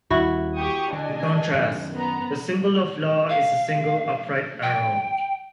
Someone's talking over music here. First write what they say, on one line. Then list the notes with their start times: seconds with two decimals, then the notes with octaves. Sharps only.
In contrast, the symbol of Law is a single upright arrow.
0.10 D#2 G3 E4 F#4
0.57 G4 C#6 D#6
0.93 D3 D4 D#5 G#5
1.54 F#2 D#3
1.95 B3 A#5
3.30 F5
4.63 G5